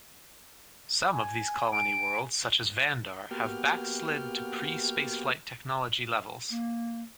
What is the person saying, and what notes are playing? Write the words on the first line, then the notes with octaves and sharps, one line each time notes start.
Some of these colony worlds, such as Vandar, have backslid to pre-spaceflight technology levels.
G#5
D7
A#3 B3 F#4 G4 G5 F6
A#3